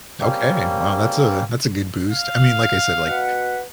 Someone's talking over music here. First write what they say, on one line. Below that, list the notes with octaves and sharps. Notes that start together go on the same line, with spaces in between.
Okay, wow that's a that's a good boost. I mean, like I said, like,
G3 A#3 C4 C#4
F5
B2 B4 F#5